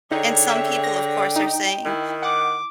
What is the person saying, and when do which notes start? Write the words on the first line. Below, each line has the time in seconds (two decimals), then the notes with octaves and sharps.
and some people, of course, are saying,
0.11 D3 D#4 G#4 C#5 G5
0.48 E5
0.84 A#6
1.36 D#4
1.86 D#3 E4
2.22 F#5 D6